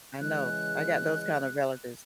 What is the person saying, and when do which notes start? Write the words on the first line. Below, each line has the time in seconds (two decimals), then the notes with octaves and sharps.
I know. I got those kind of relatives
0.21 C#3 E3 G#3 F#6